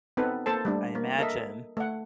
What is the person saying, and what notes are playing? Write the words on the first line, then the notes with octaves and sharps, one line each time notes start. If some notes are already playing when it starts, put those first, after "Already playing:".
I imagine
B3 C4 D#4 A4 B4
A#3 A4 C5 A5
G3 A3 D4
A#3
A4 A#4 D#5 E5
A3 F#5